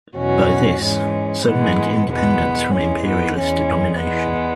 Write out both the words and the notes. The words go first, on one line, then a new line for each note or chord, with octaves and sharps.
By this, Sun meant independence from imperialist domination.
E2 B2 F#3 C#4 F#4
G#2 E3 G#3 C#4
G#2 E3 G#3 B3
E2 B2 G#3 B3
E2 E3 G#3 C#4
B3
E2 E3 G#3 C#4
E2 E3 G#3 B3